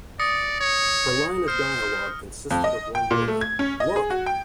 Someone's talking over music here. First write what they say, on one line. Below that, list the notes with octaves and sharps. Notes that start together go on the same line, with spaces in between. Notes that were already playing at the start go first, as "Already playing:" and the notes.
Her line of dialogue consisted of one word, Look!
D5 D#6 A#6 C#7
C#5
C5 F6
F2
D#5
G5
A#2
A3
G#6
C#4
D#5
G#4
F#4
G5